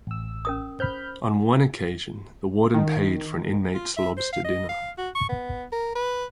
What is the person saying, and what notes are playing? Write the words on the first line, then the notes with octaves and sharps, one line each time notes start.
On one occasion, the warden paid for an inmate's lobster dinner.
A1 E6
C#4 A#4 D#6
C5 B5 F6 G6
D#3
F4
E5
C5
F5
D#5
F5
F#4
C#6
B3
A#4
B4